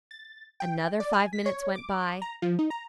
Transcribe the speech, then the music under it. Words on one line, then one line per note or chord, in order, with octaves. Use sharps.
Another five minutes went by.
A6
G5
D5
G#5
B6
C#5
D6
A#5
F3
D#4
A#5